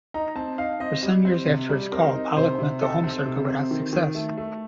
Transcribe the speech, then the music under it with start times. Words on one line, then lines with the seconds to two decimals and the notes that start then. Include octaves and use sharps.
For some years after his call Pollock went the home circuit without success.
0.14 D#4 A#5
0.36 C4 A5
0.58 D#4 F5
0.80 C4 D#5
1.03 G3
1.25 C4
1.47 C3
1.69 G3
1.92 C4 A#4
2.14 D#4
2.37 C3 C5
2.59 C3
2.81 D#4 A4
3.04 C4
3.26 C3
3.49 C4
3.71 D#3
3.93 D#3
4.15 A3
4.38 A3